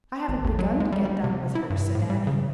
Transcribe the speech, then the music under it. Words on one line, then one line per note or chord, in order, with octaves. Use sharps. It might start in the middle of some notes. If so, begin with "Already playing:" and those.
"I haven't begun to get done with her," said Annie.
G#1
D#2
F#3
G#3
G3
G3
C3
E4
G2
A2
G3
C#3